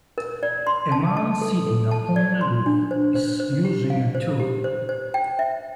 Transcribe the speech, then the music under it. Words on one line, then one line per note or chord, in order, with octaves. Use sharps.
A man sitting upon a roof is using a tool.
A#4
D5
C6
A5
A5
A4
A4
A5
D5
C6
D4
C5
C5
C5
G4
F5
C5
G4
C5
C5
G5
E5